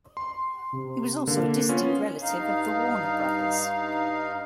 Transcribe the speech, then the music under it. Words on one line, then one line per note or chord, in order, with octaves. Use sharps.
He was also a distant relative of the Warner Brothers.
C6
C3
D3 A#3
B3 C#4 F4
G2 D#4 F5